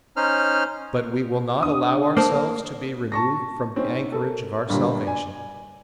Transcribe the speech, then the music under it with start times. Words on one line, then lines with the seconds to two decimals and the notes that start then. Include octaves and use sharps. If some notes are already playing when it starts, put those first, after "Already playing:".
But we will not allow ourselves to be removed from the anchorage of our salvation.
0.17 C#4 D#4 C5 F6
1.63 D4 D#6
2.17 A#3 C5 A5
3.12 A5 C#6 A#6
3.76 C4 C#4 D#4
4.12 A4 A#4
4.68 G1 A#2 G3 D4 F4
5.04 D5 G#5